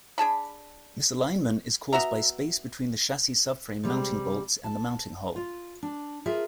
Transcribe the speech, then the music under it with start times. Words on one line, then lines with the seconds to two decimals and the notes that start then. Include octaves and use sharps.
Misalignment is caused by space between the chassis-subframe mounting bolts and the mounting hole.
0.18 D4 G#4 A5 B5
1.93 B3 F#4 E5 A#5
3.83 C3 G3 G#3
4.64 A5
5.36 F4
5.83 D4
6.26 F4 G#4 A#4 E5